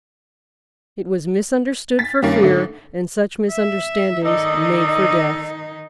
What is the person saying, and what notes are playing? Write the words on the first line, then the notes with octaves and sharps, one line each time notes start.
It was misunderstood for fear, and such misunderstandings made for death.
A6 B6
G2 D#3 A#3 C#4
G#2 D3 A3
E5
D#3 D#4 A4 D5 D#5